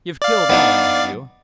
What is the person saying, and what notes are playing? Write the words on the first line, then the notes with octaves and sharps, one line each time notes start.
You've killed Alan, have you?
D5 F5
B3 D4 D#4